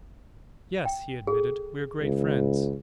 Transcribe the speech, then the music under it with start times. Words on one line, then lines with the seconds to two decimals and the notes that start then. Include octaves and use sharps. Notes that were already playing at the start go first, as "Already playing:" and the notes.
"Yes," he admitted, "we're great friends."
0.85 G5
1.27 G#4 A4
2.02 C#2